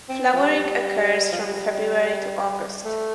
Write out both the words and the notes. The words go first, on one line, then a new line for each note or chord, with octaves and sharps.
Flowering occurs from February to August.
C4
B3
F3
G3
F3
G3
A3